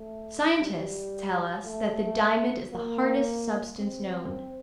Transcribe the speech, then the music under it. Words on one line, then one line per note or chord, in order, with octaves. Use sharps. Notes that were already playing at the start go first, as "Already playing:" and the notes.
Scientists tell us that the diamond is the hardest substance known.
Already playing: A3
G3
A3
A#3
C4